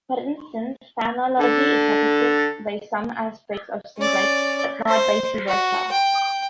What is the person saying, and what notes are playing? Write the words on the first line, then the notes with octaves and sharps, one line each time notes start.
For instance, phonology is affected by some aspects of syntax, but not vice versa.
D3 A4
C#4 D5
C5
F#4
G5